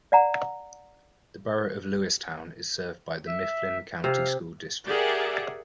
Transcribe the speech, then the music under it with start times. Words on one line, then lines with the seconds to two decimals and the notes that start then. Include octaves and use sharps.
The Borough of Lewistown is served by the Mifflin County School District.
0.12 D5 F#5 A#5
3.26 E5
4.04 C3 F5
4.86 G4 G#4 A#4 D5 E5 F#5